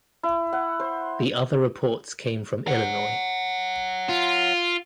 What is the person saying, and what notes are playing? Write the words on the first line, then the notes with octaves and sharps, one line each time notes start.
The other reports came from Illinois.
E4
F#5
C5
C#5 F#5
F4